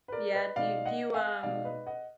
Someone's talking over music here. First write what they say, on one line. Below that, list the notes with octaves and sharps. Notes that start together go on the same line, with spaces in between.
Yeah. Do you do you, um
B4
A#4 D5
B4 D#5
B2 G#3 D#4 D5 F5
D#5 F#5
F5 G#5
B2 G#3 D#4 D5 F5
B4 D#5
D#5 F#5